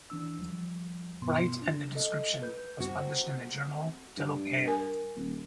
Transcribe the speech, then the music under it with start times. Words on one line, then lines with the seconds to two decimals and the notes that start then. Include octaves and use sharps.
Wright and the description was published in the journal "Telopea".
0.10 E3 D4 E6
0.38 D#2 F3 G3
1.21 G2 B2 B3 C6
1.62 D4
1.95 A4 D#5
2.42 B4 G6
2.80 C3 C4 F#4
4.17 G2
4.67 A#4 G#5
5.17 D#1